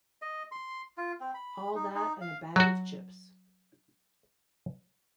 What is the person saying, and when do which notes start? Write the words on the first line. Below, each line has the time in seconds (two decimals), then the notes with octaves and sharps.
All that and a bag of chips.
0.22 D#5
0.52 C6
0.98 F4
1.20 C4
1.34 B5
1.75 D#4
1.95 D#4
2.21 F5
2.56 F#3 F#4